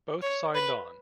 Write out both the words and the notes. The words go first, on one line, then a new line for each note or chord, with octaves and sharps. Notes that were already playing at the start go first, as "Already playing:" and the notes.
Both signed on.
C#5
B4